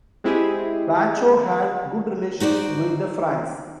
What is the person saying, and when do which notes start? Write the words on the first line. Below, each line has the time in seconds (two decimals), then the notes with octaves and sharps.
Wacho had good relations with the Franks.
0.24 G#3 C4 E4 G4 G#4
2.40 D#4 F#4 C5 D5